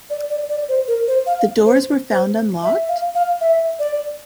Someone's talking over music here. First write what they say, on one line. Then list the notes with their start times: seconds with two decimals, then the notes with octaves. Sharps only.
The doors were found unlocked?
0.10 D5
0.30 D5
0.49 D5
0.69 C5
0.88 A#4
1.08 C5
1.27 F5
1.66 C5
2.11 C5
2.63 E5
2.89 F5
3.15 F5
3.41 E5
3.79 D5